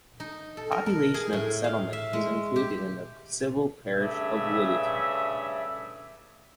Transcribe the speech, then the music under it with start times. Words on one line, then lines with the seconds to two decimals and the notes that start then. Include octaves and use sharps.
The population of the settlement is included in the civil parish of Woodditton.
0.20 D#4
0.57 A4
0.72 A#4
0.86 A#4
1.14 G#4
1.33 A2
1.64 F5
1.93 E5
2.13 G#3
2.56 G4
3.94 G2 C#3 A3 E5